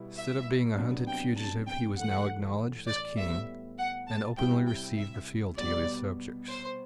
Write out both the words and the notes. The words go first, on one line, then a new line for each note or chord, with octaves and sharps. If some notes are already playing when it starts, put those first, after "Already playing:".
Instead of being a hunted fugitive he was now acknowledged as king and openly received the fealty of his subjects.
Already playing: B2 G3 B3 E4
E5
C3 F#3 B3 D4
G5
A5
G5
A2 E3 A3 F#5
D5
A2 G3 B3 E5
F#5
A5
C3 G3 C4 E4 G5
G5
E5
B2 G3 B3 D5
C5